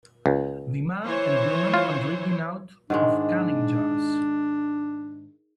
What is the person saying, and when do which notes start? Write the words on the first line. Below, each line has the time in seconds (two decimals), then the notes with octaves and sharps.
The man and woman are drinking out of canning jars.
0.26 C#2
1.04 E3 C5 C#5
1.74 F4
2.90 G#2 D#3 G#3 D4